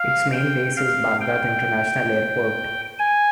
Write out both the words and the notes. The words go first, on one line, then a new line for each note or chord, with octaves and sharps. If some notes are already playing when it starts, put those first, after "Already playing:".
Its main base is Baghdad International Airport.
Already playing: F5
G5
F5
G5
G#5